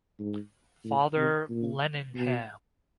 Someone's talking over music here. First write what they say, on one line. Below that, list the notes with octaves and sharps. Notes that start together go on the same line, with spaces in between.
Father Lenihan.
G#2
A2
C3
A#2
B2